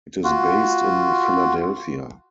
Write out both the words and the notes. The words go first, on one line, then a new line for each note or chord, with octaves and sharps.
It is based in Philadelphia.
F4 F#4